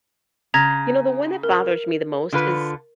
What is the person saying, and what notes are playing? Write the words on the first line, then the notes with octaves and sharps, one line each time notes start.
You know, the one that bothers me the most is
C#3 A#5 G#6 A#6
A#4
D3 F4 B4